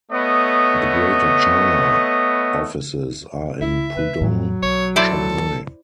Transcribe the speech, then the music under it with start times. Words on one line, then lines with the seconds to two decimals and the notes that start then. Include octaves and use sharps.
The Greater China offices are in Pudong, Shanghai.
0.12 A3 B3 C#5 D#5
3.62 C#2 E4 E5
3.96 C3 B4
4.21 A2 F#3
4.63 B1 C#5
4.96 E4 A4 C5 D5